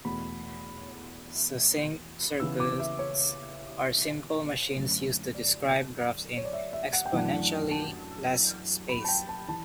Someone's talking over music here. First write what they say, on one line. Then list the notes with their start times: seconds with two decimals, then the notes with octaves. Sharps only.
Succinct circuits are simple machines used to describe graphs in exponentially less space.
0.04 E2 B2 A3 B5
2.40 C#3 E3 B3 E4 E6
2.60 D6
2.80 E5
2.99 C#5
4.76 F#2 D3 A3 C#4
5.35 D5
6.37 C#5
6.45 D5
6.53 E5
6.73 E5
6.93 F#5
7.06 G5
7.13 F#2 E3 A3 D4 F#5
7.71 A5
8.89 B5
9.04 A5
9.08 G5
9.29 A5
9.48 E3 A5